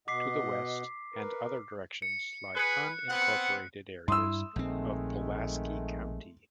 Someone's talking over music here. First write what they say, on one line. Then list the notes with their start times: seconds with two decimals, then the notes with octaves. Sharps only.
To the west and other directions lie unincorporated areas of Pulaski County.
0.08 B2 D#5 F#5 D6 B6 C7
1.14 A#4 B4
2.02 C#7
2.55 G#4 B4 F#6 C#7
3.08 B3 C4 F#5
4.08 G2 E4 C6 D#6 E6
4.56 A#1 D#3 G#3 A3 C4